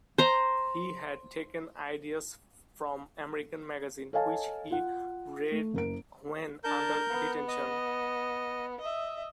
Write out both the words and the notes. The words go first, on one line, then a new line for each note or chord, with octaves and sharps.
He had taken ideas from American magazines, which he read when under detention.
C5 A#5
A4 C#5 D#5 F5 G#5 A5
F4 F#5
A3
F#1 A#4 D7
D4 A#4 A5 G6
B3
D#5
D#5 E5